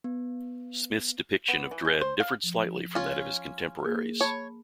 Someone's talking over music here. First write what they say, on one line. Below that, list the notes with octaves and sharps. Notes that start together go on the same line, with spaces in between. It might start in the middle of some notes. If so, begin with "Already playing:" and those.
Smith's depiction of Dredd differed slightly from that of his contemporaries.
B3
B3
E3
G#3
C5
F5
F3
C#4 F4
A#3 G#4 A#4
C#5 A5 B5